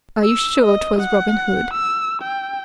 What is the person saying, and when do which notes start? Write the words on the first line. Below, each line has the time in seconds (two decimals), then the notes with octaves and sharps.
"Are you sure 'twas Robin Hood?"
0.23 E6
0.63 D#5
0.99 F#5
1.74 E6
2.22 G5